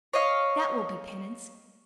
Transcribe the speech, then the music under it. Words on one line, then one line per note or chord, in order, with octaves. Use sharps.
THAT will be penance.
C#5 D#5 F5